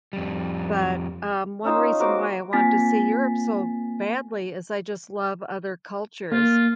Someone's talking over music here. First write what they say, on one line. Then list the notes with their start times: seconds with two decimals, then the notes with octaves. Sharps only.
but, um, one reason why I want to see Europe so badly is I just love other cultures.
0.13 F2 G3
1.64 C#4 D#4 F4 E6
2.00 A#3 F#4 C5 D6
2.53 A#3 C4 F4 G#5 A6 B6
6.32 A#3 F4